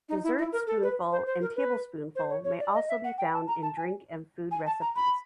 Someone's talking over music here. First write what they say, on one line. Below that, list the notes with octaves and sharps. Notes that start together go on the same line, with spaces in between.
Dessert spoonful and tablespoonful may also be found in drink and food recipes.
D#4
E4
E4
A#4
A4
B4
C5
C5
A#4
B4
C5
C#5
C#5
D5
D#5
E5
F#5
G5
A5
A#5
A5
G#5
G#5
A5
A#5
B5